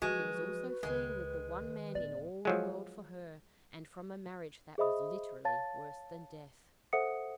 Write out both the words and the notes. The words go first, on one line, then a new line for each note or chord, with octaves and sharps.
She was also fleeing with the one man in all the world for her, and from a marriage that was literally worse than death.
F3 F#3 G#3 F#4 B4
C#2 D#3 G#3
D1 B3 D5
F3 F#3 G#3
G#4 C5 D#5 E5 B5 D#6
C#5 F5 A5 A6
A4 C5 E5 F#5 D#6 C#7